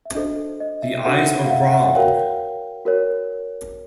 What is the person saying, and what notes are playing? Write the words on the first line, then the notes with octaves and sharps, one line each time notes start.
The eyes are brown!
E5
D4 F#4 A4 C5 D#5
D#5
E5
D4 F#4 A4 C5 E5 F#5
F5
E5 F#5
E5 F#5
F#4 A#4 C#5 F5 G5
F#4 A#4 C#5